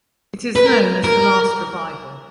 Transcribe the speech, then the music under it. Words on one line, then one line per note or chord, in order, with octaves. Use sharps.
It is known as the Last Revival.
B4
A#4
A#4